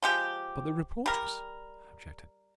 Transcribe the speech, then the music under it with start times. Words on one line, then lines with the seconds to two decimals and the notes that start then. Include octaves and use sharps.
"But the reporters," I objected.
0.02 F3 G#3 G4
1.06 G3 A#4